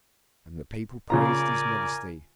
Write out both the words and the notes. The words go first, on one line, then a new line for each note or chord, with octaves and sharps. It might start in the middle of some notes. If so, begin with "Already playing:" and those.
And the people praised his modesty.
C#3 F4 A#4 D5 G#5 A#5